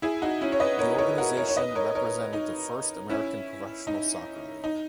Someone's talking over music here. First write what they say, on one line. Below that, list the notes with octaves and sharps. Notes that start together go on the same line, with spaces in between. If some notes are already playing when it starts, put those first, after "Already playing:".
The organization represented the first American professional soccer league.
E4 G#4
D#4 F#4
C#4 E4
C#5
B4 D#5
A#4 C#5
A#4 C#5
F#4 A#4
A#4 C#5
C#5
B4 D#5
A#4 C#5
A#4 C#5
D#4
C#4 E4
D#4
D#4